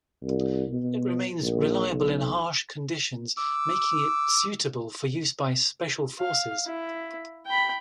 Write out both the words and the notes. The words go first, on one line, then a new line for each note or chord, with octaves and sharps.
It remains reliable in harsh conditions, making it suitable for use by special forces.
C2
B2
A#1
B1
D6 E6
F5
E4
G5 B5